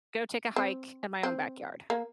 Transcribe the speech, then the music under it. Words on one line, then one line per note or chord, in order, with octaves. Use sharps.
Go take a hike in my own backyard.
C4
C4
A#3